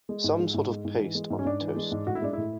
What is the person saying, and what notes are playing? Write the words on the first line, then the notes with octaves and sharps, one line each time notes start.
Some sort of paste on toast.
G#3
G#2
G#3
G#2
G#3
G#2
E3
G#3
G#2
C#4
G#2 D4
E3
G#3
G#2
A2 F#4
E4
G#3 D4
A2 E4